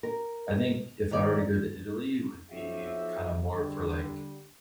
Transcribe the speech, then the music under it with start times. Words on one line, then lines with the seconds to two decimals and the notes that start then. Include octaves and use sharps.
I think if I were to go to Italy, it would be kinda more for, like
0.03 A#4
1.11 D#3 C#5 D5
2.51 B1 F3 F#4 G4 E5
3.50 D3 G3